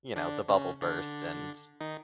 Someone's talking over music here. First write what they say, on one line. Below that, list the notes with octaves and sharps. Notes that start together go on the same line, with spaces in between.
you know, the bubble burst and
D3 D4
C#3 C#4
D3 D4
D#3 D#4